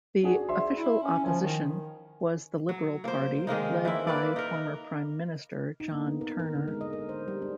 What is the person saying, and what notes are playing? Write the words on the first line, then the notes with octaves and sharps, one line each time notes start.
The Official Opposition was the Liberal Party, led by former prime minister John Turner.
D4 F#4 G#4
D5 E5 C6
E4
C#4
F3 G#5
D#3
F#3
A#3 C5
D#3 G#3 A#3 D#4
E3 C4 E4
A#3 B4 D5
D#4 A#4
D#4
A#3
B3
A#4
A#4
D3
G#3
D#5
A#4
C5
G3
D4